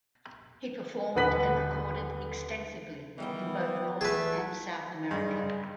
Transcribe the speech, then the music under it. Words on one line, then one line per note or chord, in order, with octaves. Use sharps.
He performed and recorded extensively in both North and South America.
D#1 D3 B4 F#5 B6 F#7
D#3 E3 G3 B3 G5
E3 A3 G#4 B4
G2 G3 G#3